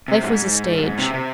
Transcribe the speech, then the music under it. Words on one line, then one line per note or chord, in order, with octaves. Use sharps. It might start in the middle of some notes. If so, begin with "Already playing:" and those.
Life was a stage.
C3
G#2
G2
G#2
C3
C3